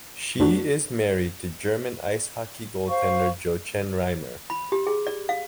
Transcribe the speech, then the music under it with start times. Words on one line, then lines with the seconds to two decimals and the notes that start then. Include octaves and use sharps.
She is married to German ice hockey goaltender Jochen Reimer.
0.39 F2 F3 A3 D4 F#4
2.89 C5 F5 C#6
4.50 B5
4.72 G4
4.87 G#4
5.07 D5
5.29 F5